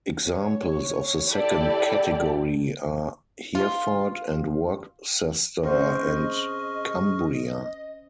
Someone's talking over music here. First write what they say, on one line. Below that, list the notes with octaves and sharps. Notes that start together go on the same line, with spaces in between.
Examples of the second category are Hereford and Worcester and Cumbria.
C#5
E4 G4 A4 D5 G5
F4
C#4 G#4 C5 D#5 C#6 F6